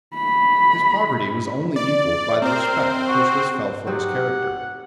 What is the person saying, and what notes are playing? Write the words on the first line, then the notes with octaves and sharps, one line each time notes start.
His poverty was only equalled by the respect which was felt for his character.
B5
D5
C4 A#4 C5
F#4
F#3 C4 D#4 G4 F#5